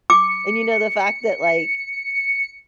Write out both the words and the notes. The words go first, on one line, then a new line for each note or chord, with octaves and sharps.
And you know the fact that, like,
D6 C#7